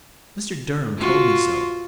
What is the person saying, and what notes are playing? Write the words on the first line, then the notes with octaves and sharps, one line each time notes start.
"Mr. Durham told me so."
F4 F#4